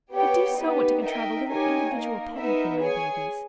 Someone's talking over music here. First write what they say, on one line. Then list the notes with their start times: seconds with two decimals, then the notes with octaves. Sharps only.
I do so want to contrive a little individual petting for my babies.
0.13 B3 G4 C#5 G5
0.58 B3 D#4 G4 B4
1.03 D#4 A#4 E5 G5
1.47 D#4 G4 A#4 C#5 G#5
1.92 A#3 D#4 A#4
2.36 B3 D#4 A#4 E5
2.81 G#4 C#5 G#5